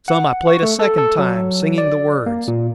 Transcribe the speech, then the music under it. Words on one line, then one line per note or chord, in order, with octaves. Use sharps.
Some I played a second time, singing the words.
F#5
C#6
A3
A4
A4
F#3
D5
A#3
A#2